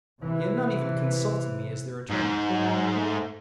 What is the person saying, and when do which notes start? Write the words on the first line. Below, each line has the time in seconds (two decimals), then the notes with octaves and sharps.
He had not even consulted me as their attorney.
0.21 C3 E3
2.10 G#2
2.50 F#3
2.96 A3